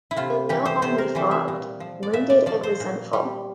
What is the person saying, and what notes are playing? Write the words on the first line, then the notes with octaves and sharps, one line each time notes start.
And not only fogged — wounded and resentful.
E4
C3 F4
E3 G3 G4
C5
C3 C5
A#4
E3 G3 C5
E5
A#2
F3
D5
A#2 E5
D5
F3 D5
C5
A#2
G3